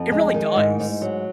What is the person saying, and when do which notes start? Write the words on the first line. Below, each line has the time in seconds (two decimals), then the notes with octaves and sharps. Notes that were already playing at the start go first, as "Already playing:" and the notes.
It really does.
Already playing: F2
0.12 G#3
0.34 D#3
0.56 G#2
0.80 G#2
1.02 F#3